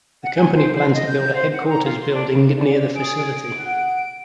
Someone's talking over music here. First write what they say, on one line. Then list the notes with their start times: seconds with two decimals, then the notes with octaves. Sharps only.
The company plans to build a headquarters building near the facility.
0.23 F#5
0.35 G#5
0.55 C5
0.75 C5
0.93 D#5
1.08 G6
1.34 C5
1.52 F#5
1.68 A#5
1.84 F4
1.99 C6
2.13 D4
2.57 D5
2.96 G#4 D7
3.59 F#5